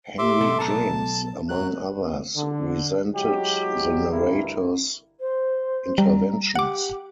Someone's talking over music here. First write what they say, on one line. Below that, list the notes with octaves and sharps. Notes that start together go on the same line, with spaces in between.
Henry James, among others, resented the narrator's interventions.
G4 E5 C6 D6
B2 B3 A4
B1 B3 A4 A5 A#5
F#3 F#6
D3
F#3 G#3 E4 F#4 G4
D2 G2 B2 G3 E4 A#4
C5
G3 A#5
G4 F#5 D6